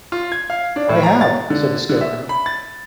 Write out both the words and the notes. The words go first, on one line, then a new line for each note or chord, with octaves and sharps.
"I have," said the Scarecrow.
F4
G#6
F5
D4
A2
A#5
A6
D3
D3
E5
B5
A6